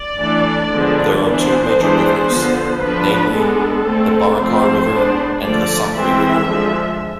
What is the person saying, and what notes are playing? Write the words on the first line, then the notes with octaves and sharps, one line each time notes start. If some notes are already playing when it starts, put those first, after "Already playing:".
There are two major rivers, namely, the Barakar River and the Sakri River.
Already playing: D5
E3 A3 D4
D3 F3 G#3 B3 D4
E3 B3 D4 C5
E3 G#3 B3 D4
D3 F3 B3
F3 B3 D4 B4
G#3 B3 D4 A4
D3 A3 C4
F3 A3 C4 C5
G#3 B3 D4
D3 F3 A3 D5
E3 G#3 C4 E5
D3 F3 G#3